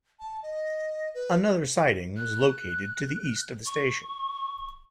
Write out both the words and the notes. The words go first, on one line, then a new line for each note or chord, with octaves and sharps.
Another siding was located to the east of the station.
A5
D#5
B4
F#6
C#6